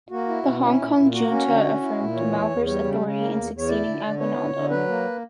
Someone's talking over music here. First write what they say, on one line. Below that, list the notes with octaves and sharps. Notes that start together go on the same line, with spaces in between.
The Hong Kong Junta affirmed Malvar's authority in succeeding Aguinaldo.
A#3 F#4
E4
B2
C#4 E4
A#2
A#2
A#3 F#4
C#4
D3
C#4
E4
A#2
E3 C#5
E2
E2
G3 C#5
C#3
C#3
A#3
E2
E2
C#5
E4 D5
D3
D3
B3 C#5
D3
D3
F#3 B4
A#3